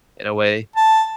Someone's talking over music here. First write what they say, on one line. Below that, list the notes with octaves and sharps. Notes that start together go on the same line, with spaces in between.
in a way.
A5